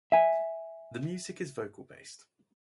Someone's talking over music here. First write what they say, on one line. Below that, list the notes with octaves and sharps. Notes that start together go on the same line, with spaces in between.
The music is vocal based.
E5 G#5